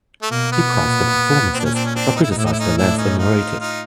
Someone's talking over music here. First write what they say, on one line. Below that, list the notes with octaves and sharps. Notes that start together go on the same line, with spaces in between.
He praised the performances but criticised the length and narrative.
A3
B2 A#3
B3
A#2
A#2 C4
D4
C#4
C4 D4
C#4
C4 D4
D#4
E4
D#4
A2 E4
D#4
E4
C#4 D#4
A2 D4 E4
C#4 D#4
D#4 F4
D#4 F4